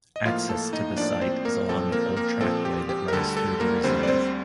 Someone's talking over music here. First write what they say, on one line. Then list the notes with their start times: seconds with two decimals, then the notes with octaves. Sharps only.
Access to the site is along an old trackway that runs through the reserve.
0.16 D#5
0.25 A2 F3 A#3 F4 F5
0.49 A4 A5
0.73 D#4 D#5
0.97 A2 F3 A#3 D4 D5
1.21 C4 C5
1.45 A#3 A#4
1.69 A#2 F3 C4 A4
1.92 A#3 A#4
2.17 A#3 A#4
2.41 A#2 F3 C4 A4
2.65 G4
2.89 G4
3.08 A#4
3.12 D2 D3 G3 A4
3.37 A4
3.60 A#3 A#4
3.84 D2 D3 G3 C4 C5
4.03 D5
4.07 C4 C5